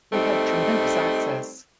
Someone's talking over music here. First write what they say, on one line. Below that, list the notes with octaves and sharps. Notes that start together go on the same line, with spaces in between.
We had tremendous access.
G3 A3 C4 D#4